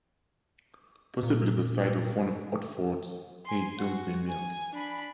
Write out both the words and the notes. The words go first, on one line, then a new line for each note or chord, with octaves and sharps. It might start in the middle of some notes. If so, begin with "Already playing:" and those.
Possibly the site of one of Otford's eight Domesday mills.
A#2
G#5 C6
F#4
G#5
D4 B5